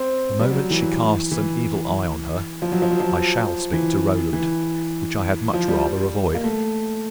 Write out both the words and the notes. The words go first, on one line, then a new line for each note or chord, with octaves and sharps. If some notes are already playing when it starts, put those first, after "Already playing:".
The moment she casts an evil eye on her, I shall speak to Rowland; which I had much rather avoid.
Already playing: C4
G3
F#3
E3
E3
F3
F#3
F3
F#3
F3
E3
E3
F3
G3
A#3
A3